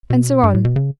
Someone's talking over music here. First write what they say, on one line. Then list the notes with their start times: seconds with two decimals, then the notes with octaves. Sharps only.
And so on.
0.10 B2
0.44 G2
0.54 A2
0.65 B2
0.76 C#3